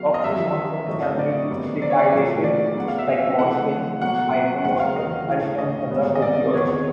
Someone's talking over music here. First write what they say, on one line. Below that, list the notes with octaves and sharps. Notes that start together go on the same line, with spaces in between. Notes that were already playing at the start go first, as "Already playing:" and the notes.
Oxymorphone can be acetylated like morphine, hydromorphone, and some other opioids.
Already playing: C#3 F#3 B3 F5
D#5
F#2 D#3 G3 E5
A2 F#3 A3 C4 D#5
D#5
D5
F#2 D#3 G3 B3
D5
C#5
D5
A#2 F#3 A3
D5
C#3 F#3 B3 F#5
F5
E5
D#5
F5
E5
C#3 E3 A3 C4 F#5
B2 F#3 A#3 F#5
E2 C#3 F#3 A#3 F#5
F5
D#5
A2 E3 A3
D#5
G#2 D#3 G3 B3
D#5
D5
E2 C3 D#3 G#3 B3 C#5